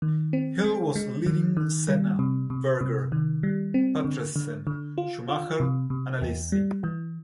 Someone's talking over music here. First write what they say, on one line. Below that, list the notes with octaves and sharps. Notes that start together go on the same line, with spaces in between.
Hill was leading Senna, Berger, Patrese, Schumacher and Alesi.
D#3
C4
G#3
G#3
D#3
D#3
G3
C3
C3
C3
D#3
G3
C4
D3
D3
D3
F4
F4
C3
C3
E2
G3
E3